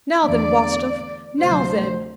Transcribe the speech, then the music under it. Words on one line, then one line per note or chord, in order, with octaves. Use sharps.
"Now then, Wostov, now then!"
E2 D3 A3 D5
D2 C3 F#3 C5